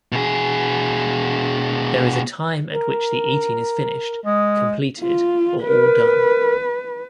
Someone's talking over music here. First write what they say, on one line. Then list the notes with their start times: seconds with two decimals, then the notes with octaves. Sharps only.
There is a time at which the eating is finished, completed, or all done.
0.12 B2 G#4
2.72 A#4
4.25 G#3 D#6
5.00 F4
5.66 A#4 B4